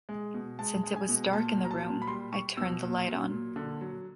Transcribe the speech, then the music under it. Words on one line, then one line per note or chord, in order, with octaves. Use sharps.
Since it was dark in the room, I turned the light on.
G#3
B2
G#3 A5
G#3
G#5
B2
A#2 A5
F#3
A#5
A5
A#2
B5
G3 C6
G3 C#6
B2 E6
A#2
F#3
A#2
D3
F#3